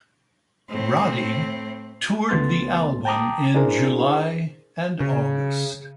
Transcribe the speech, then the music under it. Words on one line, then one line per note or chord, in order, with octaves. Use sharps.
Roddy toured the album in July and August.
A2 C4
C#2 A3 B3 C6 A6
G5 A5 A#5 D6 D#6
D4 E4 G#4 A#4 C5
C#3